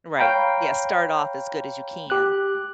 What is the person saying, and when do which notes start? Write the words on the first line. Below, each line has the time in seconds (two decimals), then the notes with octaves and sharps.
Right. Yeah, start off as good as you can.
0.18 C#5 F5 G5 A#5 B5
2.10 G4 F#6